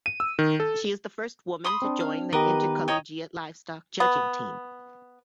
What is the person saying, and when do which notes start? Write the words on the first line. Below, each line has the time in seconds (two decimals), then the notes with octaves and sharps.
She is the first woman to join the Intercollegiate Livestock Judging Team.
0.06 D#7
0.20 E6
0.39 D#3
0.60 A4
1.64 B5 C6 D#6
1.82 C4 D4
2.00 F5
2.33 D#3 B3 G4 A#4 B4 D#5
2.88 C#5 D#5 G5 A#5 D#6
4.00 B3